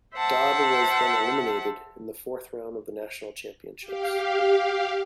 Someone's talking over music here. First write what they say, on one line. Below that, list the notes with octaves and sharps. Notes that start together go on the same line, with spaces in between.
Dod was then eliminated in the fourth round of the National Championships.
C5 E5 F#5 A5
G4 F5